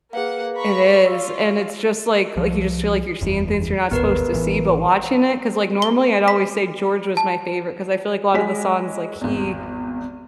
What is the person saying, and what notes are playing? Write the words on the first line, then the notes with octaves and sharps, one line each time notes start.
It is, and, it's just, like like, you just feel like you're seeing things you're not supposed to see, but watching it. 'Cause, like, normally I'd always say George was my favorite, 'cause I feel like a lot of the songs, like he,
A#3 G#4 B4 F5 F#5
A#5 B5 C#6
F4 C#6 E6
C2 F3
F#1 E2
G#1 D#2 A2 B3 A#4 B4
A1 A2 E3
G7
B6
A5
G#3 D#5 G#5 B6
G#1 E2